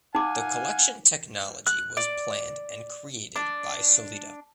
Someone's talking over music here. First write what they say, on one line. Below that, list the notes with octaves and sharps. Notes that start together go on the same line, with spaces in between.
The collection technology was planned and created by Solita.
D#4 F5 F#5 G#5 D6
F#6
D5
D4